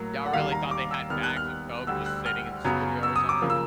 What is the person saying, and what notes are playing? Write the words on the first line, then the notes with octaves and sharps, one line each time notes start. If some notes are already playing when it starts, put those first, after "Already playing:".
Y'all really thought they had bags of coke just sitting in the studio or something?"
Already playing: A2 F#3 A#3
F#5
D#2 D#3 G3 F5
A#5
D6
E6
D#2 D#3 G3 B3 F6
F#6
F6
D2 D3 G3 E6
F#6
F6
F#2 C#3 F#3 B3
E6
D#6
D6
C#3 F3 A#3
E6